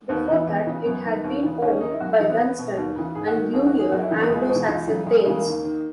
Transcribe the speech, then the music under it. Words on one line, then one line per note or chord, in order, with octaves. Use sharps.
Before that it had been owned by Dunstan and Glunier, Anglo-Saxon thanes.
D#2 B3
C#3 E3
E2
C#3 E3
F#2 B3
D#3
D#2
C#3 E3
D#2 C#4
C#4
D#3 D#4
E4
F#2 F#4
E4
E3 D#4
B3
E2
B2
D#2
C#3 E3
G#2 G#4
F#4
D#3
D#2 G#4
F#4
D#3
G#4
F#2 F#4
E4
C#3 E3 D#4
B3
C#2 G#3
G#3
B2
E3
C#2 E3
C#3 E3 F#3
E2 G#3
A#3
C#3 E3 G#3
A#3
D#2
D#3